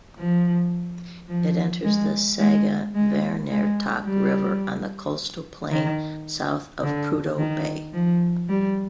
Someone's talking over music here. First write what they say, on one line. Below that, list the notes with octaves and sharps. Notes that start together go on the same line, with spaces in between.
It enters the Sagavanirktok River on the coastal plain south of Prudhoe Bay.
F3
F3
G#3
G#3
G#3
G#3
G3
D#3
D3
D#3
F3
G3